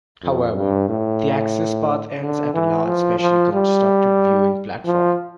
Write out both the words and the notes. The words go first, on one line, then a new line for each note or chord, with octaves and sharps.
However, the access path ends at a large specially constructed viewing platform.
F2
G2
A2
D3
E3
F3
F3
G3
F3